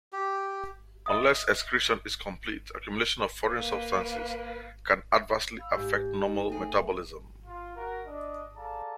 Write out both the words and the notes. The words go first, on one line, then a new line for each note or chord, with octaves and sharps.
Unless excretion is complete, accumulation of foreign substances can adversely affect normal metabolism.
G4
D#5 E5 D#6
A#3 B4
F5 B5 E6
G#2 G4
D#4
A3 C4 G#4
E5
F4
F#4 A#4
D4 D#5
G#4 A4 D5 F5 A5 A#5